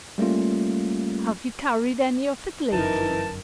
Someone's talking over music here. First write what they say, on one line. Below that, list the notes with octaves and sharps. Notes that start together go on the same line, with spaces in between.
"Have you carried any of It lately?"
G3 A3 A#3 C#4 F4
G1 F#2 E3 D#4 A#4 A5